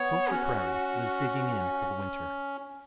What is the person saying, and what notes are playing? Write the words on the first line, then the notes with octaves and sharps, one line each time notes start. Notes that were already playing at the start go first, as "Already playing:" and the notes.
GOPHER PRAIRIE was digging in for the winter.
Already playing: B3 C#5
C#4 F#4